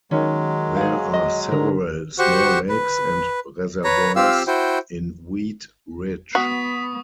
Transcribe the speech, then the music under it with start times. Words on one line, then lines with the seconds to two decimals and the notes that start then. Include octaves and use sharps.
There are several small lakes and reservoirs in Wheat Ridge.
0.11 D#3 F#3 G#3 C#4
0.77 G#4 F5
1.14 D#5
1.52 D3 A#4
2.19 F#4 G4 C5 F#5 C#6
2.69 B4
3.84 B4 C#5 A#5
4.16 C4 F4 G4 F5 E6
4.47 E4 F#4 C5 G5
6.35 B3 F#4 C#6 D#6 B6